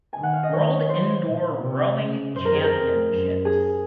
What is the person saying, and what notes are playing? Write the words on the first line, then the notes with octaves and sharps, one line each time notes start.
World Indoor Rowing Championships.
D#3 G#5
F#5
F5
D#5
D#3 C#5
C5
A#2
C3
C#3
F#2 C5
A#4
G#4
A#4
F2
F#2
G#4